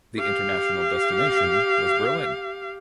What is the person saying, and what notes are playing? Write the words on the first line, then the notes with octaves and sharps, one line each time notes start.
The international destination was Berlin.
G4 F5